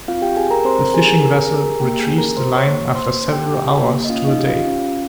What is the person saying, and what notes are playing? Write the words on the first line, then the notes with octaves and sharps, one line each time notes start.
The fishing vessel retrieves the line after several hours to a day.
C4 F4 F5
G4 G5
G4 G#4 G#5
A#4 A#5
C4 C5 C6
A#4 A#5
G4 G#4 G#5
G#4 G#5
C4 A#4 A#5
G#4 G#5
G4
A#4 A#5
A#3 G4 G5
G#4 G#5
C#4
A#4 A#5
G4 C5 C6
C#5 C#6
A#3
A#3 C5 C6
C#4
G4 G5
G4
A#3
D#5
C#4 F4 F5
D#4 D#5
G4
F4 F5
C#4